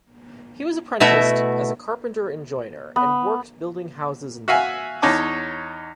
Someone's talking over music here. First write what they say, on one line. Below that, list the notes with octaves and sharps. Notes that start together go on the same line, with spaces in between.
He was apprenticed as a carpenter and joiner, and worked building houses and barns.
B2 A3 E4 F#4 E5
B3
F#4 E5 F5 G#5
E2 D#4 C#5 A5 D6